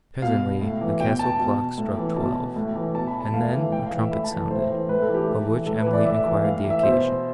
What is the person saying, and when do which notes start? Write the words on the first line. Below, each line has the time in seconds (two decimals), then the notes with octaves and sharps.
Presently, the castle clock struck twelve, and then a trumpet sounded, of which Emily enquired the occasion.
0.22 B2 F5
0.61 A2
0.81 E3
1.00 B2 G5
1.19 A5
1.39 B2
1.78 A2
1.97 E3
2.17 B2 A5
2.56 A2
2.75 E3
2.94 B2 A5
3.07 B5
3.21 A5
3.33 A2 F5
3.53 E3
3.72 A2 G5
3.86 F5
3.92 E3
3.98 E5
4.11 A2 B5
4.24 A5
4.31 E3
4.51 A2 C5
4.70 E3
4.89 A2 B4
5.02 A4
5.08 E3
5.14 G4
5.28 A2 A4
5.47 E3
5.66 A2 A4
5.80 B4
5.86 E3
5.93 D5
6.05 A2 E5
6.25 E3
6.44 A2 F5
6.64 E3
6.70 E5
6.83 B2 C5